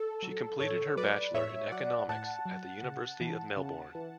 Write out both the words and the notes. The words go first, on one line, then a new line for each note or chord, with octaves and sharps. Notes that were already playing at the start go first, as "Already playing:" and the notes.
She completed her bachelor in economics at the University of Melbourne.
Already playing: A4
F#3
A2 A4 C#5
F#3 B4 D5
A2 C#5 E5
F#3 D5 F#5
A2 F#5 A5
F#3
C#3
E3
C#3
E3